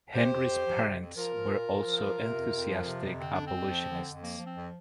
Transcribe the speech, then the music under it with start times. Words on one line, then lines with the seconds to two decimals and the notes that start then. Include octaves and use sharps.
Henry's parents were also enthusiastic abolitionists.
0.14 C3 G4 C5
0.32 F2
0.48 F2
0.65 F3
0.82 C3
0.99 F2
1.16 F3 F4 A#4
1.33 F3
1.49 A#2
1.67 A#2
1.84 F3
2.01 F3
2.18 C3
2.35 F2
2.51 F2
2.69 F3
2.86 C3
3.03 F2
3.19 D3 C4
3.34 F2 D4
3.47 C4
3.53 F2
3.71 F3
3.87 D3
4.05 F2
4.21 F3 A#3
4.38 F3
4.47 C4
4.55 F2